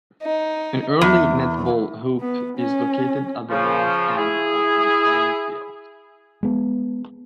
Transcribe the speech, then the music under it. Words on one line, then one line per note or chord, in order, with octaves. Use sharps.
An early netball hoop is located at the north end of the playing field.
D#4
E2
B3
C#4
C#3 F3
E4 G#4
G#3 B3